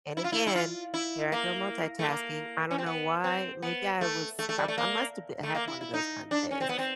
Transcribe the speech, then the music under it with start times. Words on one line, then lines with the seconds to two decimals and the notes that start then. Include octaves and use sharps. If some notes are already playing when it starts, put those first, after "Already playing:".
And again, here I go multitasking I don't know why, maybe I was I I must of b have had one of those kinda days,
0.17 E4
0.24 F4
0.32 E4
0.47 E4
0.55 F4
0.94 E4
1.32 A#3
1.99 A3
2.09 A#3
2.71 C#4
2.78 C4
2.86 B3
3.24 C4
3.62 B3
4.01 A3
4.39 A3
4.49 A3
4.58 G3
4.68 A3
4.78 A#3
5.43 A3
5.55 A#3
5.68 E4
5.81 E4
5.94 D#4
6.31 D4
6.51 C#4
6.61 C4
6.69 B3
6.79 C4